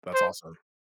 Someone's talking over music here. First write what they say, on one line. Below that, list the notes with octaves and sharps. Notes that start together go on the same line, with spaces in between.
That's awesome.
C5